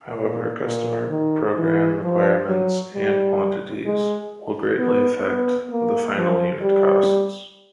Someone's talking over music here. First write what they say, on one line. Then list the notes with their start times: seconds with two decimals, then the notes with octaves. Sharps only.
However customer program requirements and quantities will greatly affect the final unit costs.
0.19 A#2
0.64 A#2
1.10 D#3
1.56 E3
2.02 F3
2.48 F#3
2.94 G3
3.85 G#3
4.78 B3
5.23 B3
5.71 A#3
6.17 F3
6.61 G3